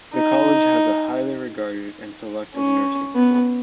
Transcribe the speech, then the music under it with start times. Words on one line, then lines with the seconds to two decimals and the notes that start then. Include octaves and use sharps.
The college has a highly regarded and selective nursing school.
0.14 D#4
2.55 C#4
3.15 B3